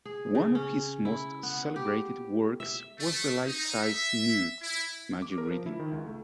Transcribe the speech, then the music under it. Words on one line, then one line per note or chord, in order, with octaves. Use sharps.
One of his most celebrated works was the life-size nude, "Maggie Reading".
G#4
C#3
C#4
E4
B3
G4
E5
A3
D#4
E5
E4
D6
A#4
F3
E4
D#3
C#2
A3